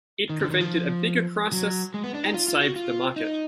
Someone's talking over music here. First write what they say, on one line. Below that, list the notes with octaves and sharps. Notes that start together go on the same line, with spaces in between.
It prevented a bigger crisis and saved the market.
D#3
D3
D#3
F3
F#3
G#3
B3
D4
D#4
F4
F4
F#4
F4
D#4